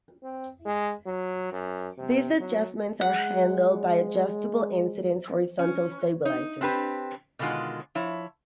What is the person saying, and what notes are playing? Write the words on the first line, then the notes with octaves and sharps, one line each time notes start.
These adjustments are handled by adjustable incidence horizontal stabilizers.
C4
G#3
F#3
F#2
C3
F#3
G#3 F#5
C#4
D#4
C4 D4 G4 B4
B2 D3 D#3 G#3 F4 F#4
F3 E4 C#5